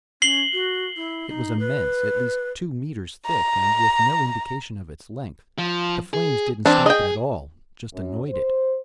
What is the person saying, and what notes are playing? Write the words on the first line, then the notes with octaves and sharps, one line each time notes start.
It was immense, at least two meters thick and with no indication of its length. The flames didn't stop it at all, just annoyed it.
C#4 C7 F#7 G7
F#4
E4
D#4
B4
A#5
F3
G#4
E2 C4 D4
G#4 D#5 G5
F#2
C5